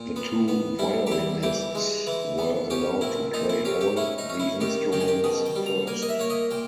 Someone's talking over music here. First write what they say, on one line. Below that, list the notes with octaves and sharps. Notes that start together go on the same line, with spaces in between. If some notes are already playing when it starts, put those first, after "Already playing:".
The two violinists were allowed to play all the instruments first.
Already playing: A#2
B3
B3
G3 E4
G4
G3 E4
E3 G4
G#3
E3
B3
C#4 G4
A#2 E4
A#2 D#4
E4
C#4 G4
G4
C#4 E4
D#4
C#4
E4
D#3 G4
D#3 G4
G#4
G4
B2 G#4
G5
G3
A#5
A#3 G#5
D#5
E5
A#3 C#5
D#5
A#2 G5